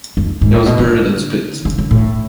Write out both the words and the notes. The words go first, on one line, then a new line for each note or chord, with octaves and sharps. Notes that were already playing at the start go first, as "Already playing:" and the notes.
He was buried at Split.
F2
G#2
A2
B2
D3
C#3
C#3
A2